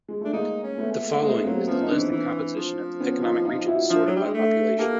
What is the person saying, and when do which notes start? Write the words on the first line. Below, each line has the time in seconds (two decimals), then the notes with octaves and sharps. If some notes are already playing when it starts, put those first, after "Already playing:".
The following is the list and composition of the economic regions, sorted by population.
0.09 G#3
0.21 A3 D4
0.33 G#3 A#3 D#4
0.63 C#4
0.78 A3 B3
0.92 A3
1.22 G#3 A3 B3
1.45 F#3 A#3 C4
1.67 F3 B3 C#4
1.81 D#4
1.89 E3 C4 D4
2.11 E3
2.56 F3
3.00 B3 C#4
3.23 D#4 F4
3.45 D#4 F4
3.67 E4 F#4
3.89 F3 D4 E4
4.06 F#3
4.16 G3
4.24 G#3
4.34 A3
4.78 A#3 G4 A4